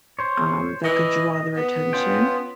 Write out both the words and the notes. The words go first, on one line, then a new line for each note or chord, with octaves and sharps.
um, that could draw their attention.
C5 C#5
E3 D#5
B3
C#4 F4 G5